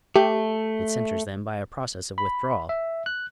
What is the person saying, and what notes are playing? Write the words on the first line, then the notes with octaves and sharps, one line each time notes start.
It centers them by a process of withdrawal.
A3 G4
B5
E5
F#6